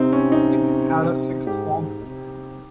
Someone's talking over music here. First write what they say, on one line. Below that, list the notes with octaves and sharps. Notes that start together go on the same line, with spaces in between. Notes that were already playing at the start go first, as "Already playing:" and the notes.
It had a sixth form.
Already playing: C3 C4 D#4
C#4
D#4
G#2 G4
C3